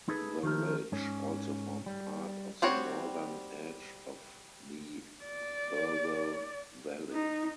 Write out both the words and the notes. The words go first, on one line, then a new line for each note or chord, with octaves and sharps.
The ridge also forms part of the northern edge of the Irwell Valley.
D#4 E4 G#4 A4 B4
D#3 F3 A3 A#4
G#2 C#4
G3
G3 C4 F#4 C#5
D5
D#4